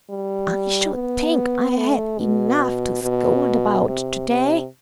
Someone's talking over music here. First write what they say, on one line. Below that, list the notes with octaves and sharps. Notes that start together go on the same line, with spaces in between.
I should think I had enough to scold about to-day!
G3
B3
A3
B2
B2
C3
C3